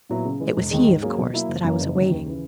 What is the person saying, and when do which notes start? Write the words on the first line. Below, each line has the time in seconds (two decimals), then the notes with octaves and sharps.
It was he, of course, that I was awaiting.
0.09 A#2 F#3 B3 E4
0.25 C#3
0.40 E3 G#3
0.56 E1
0.71 D#2 D#3 G#3
0.87 G#2
1.02 F#3 A#3 C#4 G#4
1.18 B2
1.34 F#3 A#3 E4
1.48 F#1
1.64 F#2 E3 A#3 C#4
1.80 F#1
1.95 F#2 D#3
2.11 D#2
2.26 C#3 E3